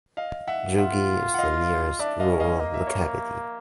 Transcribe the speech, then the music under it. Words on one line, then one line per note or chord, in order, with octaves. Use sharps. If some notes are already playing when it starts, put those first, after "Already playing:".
Yugi is the nearest rural locality.
D#5 F5
E5 F#5
F4 E5 F#5
F#5
D#5 F5
D4 D5 E5
D#5 F5
C#4
D#5 F5
A#3 D#5
E5
C#5 D#5